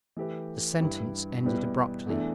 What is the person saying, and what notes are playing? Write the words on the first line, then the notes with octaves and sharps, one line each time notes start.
The sentence ended abruptly.
E3 A3 G4 B4
G2 G3 E4 B4
E2 B2 G3 E4 B4
E2 E3 A3 D4